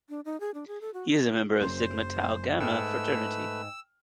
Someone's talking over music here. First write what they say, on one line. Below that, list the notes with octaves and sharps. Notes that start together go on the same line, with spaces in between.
He is a member of Sigma Tau Gamma fraternity.
D4
D#4
G#4
D4
G#4
A4
F#4
F#1 F#2 C5 C6
G#2 A3 B4 G5 E6 F6